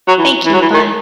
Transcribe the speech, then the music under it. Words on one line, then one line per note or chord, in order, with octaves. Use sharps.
thank you. Bye.
F#3
E3
E3
F#3
E3
D#3